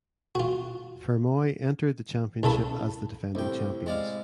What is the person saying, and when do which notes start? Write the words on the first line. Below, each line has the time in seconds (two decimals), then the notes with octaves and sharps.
Fermoy entered the championship as the defending champions.
0.35 F4 F#4
2.43 C2 C#3 A4 B5
3.35 C2 A2 C3 C4 G5
3.86 G#3 D5 F5